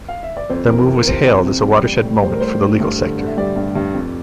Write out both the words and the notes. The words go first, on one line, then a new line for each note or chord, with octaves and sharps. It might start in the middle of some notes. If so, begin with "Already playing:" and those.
The move was hailed as a 'watershed moment' for the legal sector.
F5
E5
D5
F2 C5
E3 A#4
F2
A#4
C3 C5
C3
F2
G3
G3
A2
G3 C5
A#4
A2 C5
A2
G2
D3
D3
E5
G3 D5
G2
G2
F2